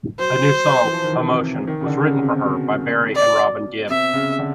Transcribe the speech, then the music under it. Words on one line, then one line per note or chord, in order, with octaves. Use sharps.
A new song, "Emotion", was written for her by Barry and Robin Gibb.
F#3 C5
E3
F3
D#3
E3
C3
D#3
C#3
D3
C#3
C3
B2
D5
C3 E5
C#3
D3